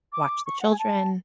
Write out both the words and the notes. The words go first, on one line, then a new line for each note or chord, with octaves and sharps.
to watch the children
D6
C#6
F#5
G#5
A5